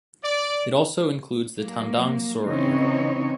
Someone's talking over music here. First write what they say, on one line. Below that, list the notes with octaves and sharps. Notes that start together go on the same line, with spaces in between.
It also includes the Tandang Sora area.
D5
F#3 A#3
C#3 E3 C4 D#4 C#5